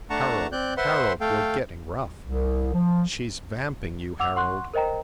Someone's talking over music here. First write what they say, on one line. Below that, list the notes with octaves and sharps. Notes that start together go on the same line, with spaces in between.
"Harold, Harold, you're getting rough!"... "She's vamping you, Harold!"...
A3 D4 F#5 A5 A#5 C#6
C4 D5 F#6 G6
B4 C5 E5 F#5 C6
A3 A4 F5 G5
C2
F3
F#5 D6 E6 F7
F#5 C6 C#6 F#6
A#4 C5 D#5 G5 A#5